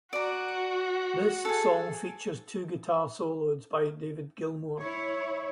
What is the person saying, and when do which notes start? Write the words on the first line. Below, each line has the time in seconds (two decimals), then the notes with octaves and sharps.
This song features two guitar solos by David Gilmour.
0.13 F#4 D5 A#5
1.45 G#4 A4
4.80 E4 C#5